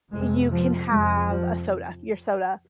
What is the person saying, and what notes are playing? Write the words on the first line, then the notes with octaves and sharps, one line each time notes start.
you can have a soda your soda,
F2 C3 G#3
F3
F2 C3 G#3
F3